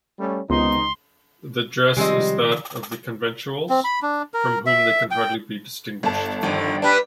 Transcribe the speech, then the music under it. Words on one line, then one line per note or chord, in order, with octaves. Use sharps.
The dress is that of the Conventuals, from whom they can hardly be distinguished.
G3 A3 C#4
C#2 C3 D#3 B3 D#4 C6
C3 D#3 F3 G3 G#3 C4 D#5
C4
B5
D4
A#4
E5
G5
G1 A5
G1 F2 D3 D#3
G3 D4 B4